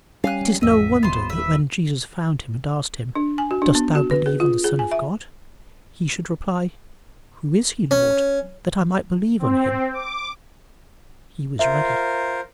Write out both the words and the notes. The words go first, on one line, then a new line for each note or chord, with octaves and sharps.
It is no wonder that when Jesus found him and asked him, "Dost thou believe on the Son of God?" he should reply, "Who is he, Lord, that I might believe on him?" He was ready.
G3 C#4 F5 G#5 F#6
D#1 A1 F2 D#5 E5
D#1 B3 C5 C6
B4 E5
D4
G#5
F#4
D4
B3
F#4
B4
G#4
F4
G#4
G#5
E5
C#4
C4
D6
F4 A#4 C5 E5